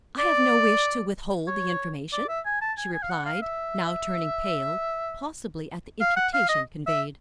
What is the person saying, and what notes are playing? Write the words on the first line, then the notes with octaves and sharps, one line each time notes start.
"I have no wish to withhold the information," she replied, now turning pale, possibly at the imputation conveyed.
D5
C#5
D5
E5
G#5
A5
G#5
G#5
F5
F#5
F5
E5
F5
F#5
F5
D#5
E5